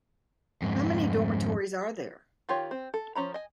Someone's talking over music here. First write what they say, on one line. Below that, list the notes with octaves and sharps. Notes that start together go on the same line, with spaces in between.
How many dormitories are there?
F2 G#2
D#3 F4 G4 C#5
C4
A4
F3 C#4 A#5 B5
D#5 G#5